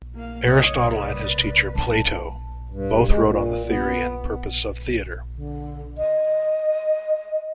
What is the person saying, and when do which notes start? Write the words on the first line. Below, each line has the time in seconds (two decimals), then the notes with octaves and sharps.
Aristotle and his teacher Plato both wrote on the theory and purpose of theatre.
0.15 A#3 F5
0.47 C2 F2 C#5 D#5 D#6
0.92 A#3 B4 D5
1.75 B2 G3 D4 A5
2.69 G2
3.07 G#3
3.23 A#2
3.67 B3
5.35 D3
5.98 D#5